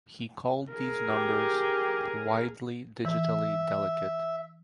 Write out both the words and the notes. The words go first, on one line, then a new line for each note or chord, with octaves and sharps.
He called these numbers "widely digitally delicate".
G#4 A#4
G4
E3 E5